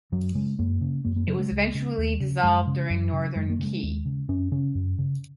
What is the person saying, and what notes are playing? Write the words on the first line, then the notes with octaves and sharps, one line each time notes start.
It was eventually dissolved during Northern Qi.
F#2 F#3
C#3 G#3
F#2 A#3
C#3
F#2 A#3
A#3
C#3 F#3
G#3
C#2
C#3
D#2
C#3
F#2 G#3
C#3
F#2 F#3
C#3
F#2 G#3
A#3
C#3 G#3
D#2
C#3
F#2 C#4
C#3 C#4
F#2
C#3